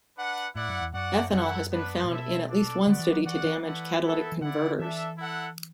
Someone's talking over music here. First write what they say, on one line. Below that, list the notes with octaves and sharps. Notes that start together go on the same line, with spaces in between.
Ethanol has been found in at least one study to damage catalytic converters.
D4 B4 F#5
A2 E4 D5 F#5
F#2
E2
F#2 F#4 D5 F#5
F#2 E4 A4 F#5
B3 D4 B4
A2
B2 E4 A4 E5
D4 A4 D5
D3 B3 F#4 D5 F#5
E3
F#3
E3 F#4 D5 F#5
E3
A3 E4 B4 D5 F#5
B3 E4 A4 E5
E3
D3 E4 D5 F#5
E3 D4 A4 E5
E4 A4 F#5